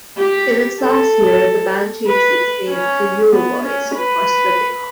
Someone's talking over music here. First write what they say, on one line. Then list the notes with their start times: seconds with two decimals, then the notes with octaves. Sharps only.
In its last year the band changed its name to Euroboys before splitting up.
0.17 G4
0.80 A4
2.07 B4
2.69 C#4
3.32 B3
3.64 C#4
3.95 B4